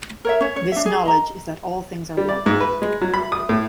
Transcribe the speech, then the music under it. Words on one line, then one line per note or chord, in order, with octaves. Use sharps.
This knowledge is that all things are one.
A#4 C#5 E5
C#4 C#5
C#5
D4 E5
G#4
D#5 A#5
G3
D5
G#2
B4
G#3
F#3
B5
D#6
A2